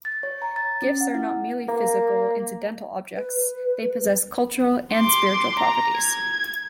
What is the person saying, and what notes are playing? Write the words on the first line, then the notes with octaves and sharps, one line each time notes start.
Gifts are not merely physical, incidental objects; they possess cultural and spiritual properties.
A6
C#5
A#5
A6
C#4
F#5
E4
A#3
B4
C6 D6
A#5
G#6